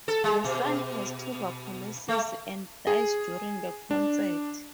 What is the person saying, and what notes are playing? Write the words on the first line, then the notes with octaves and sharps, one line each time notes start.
The son has tuberculosis and dies during the concert.
A4
G#3
B2
A3
G#4
D4